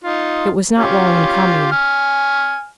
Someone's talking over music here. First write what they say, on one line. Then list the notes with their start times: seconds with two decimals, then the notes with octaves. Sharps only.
It was not long in coming.
0.04 D#4 F4
0.78 C#4 F4 G4
1.72 G#5 F6